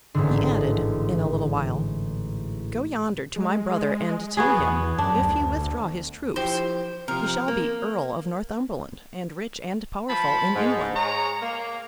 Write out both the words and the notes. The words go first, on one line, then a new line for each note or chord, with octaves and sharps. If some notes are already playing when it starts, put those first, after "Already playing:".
He added, in a little while, 'Go yonder to my brother, and tell him, if he withdraw his troops, he shall be Earl of Northumberland, and rich and powerful in England.'
A1 G#2 D3
G#3
B3 F#4 G#4
E2
F#2 D4
D2
F3 E4 G4 C5
C3 F3 A#4
A#3
F3 A5 B5
G#2
G#3 C#5 A#5
A#3